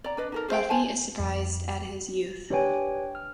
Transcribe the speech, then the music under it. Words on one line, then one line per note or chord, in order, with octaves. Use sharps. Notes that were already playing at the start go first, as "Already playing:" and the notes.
Buffy is surprised at his youth.
D5 A#5
D4 B4 D#5
D#4 A4 A#4
G#4 C5 F5 G5
C5 G#5 A5
F2
D4 G4 B4 C#5 G5 G#5
F6